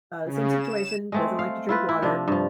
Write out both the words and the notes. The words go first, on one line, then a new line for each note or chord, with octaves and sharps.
uh, same situation, doesn't like to drink water.
C#3
E7
G#3 A3 C4
F5
E4 F4 B4
E4
C3 F3 D4
G2 F3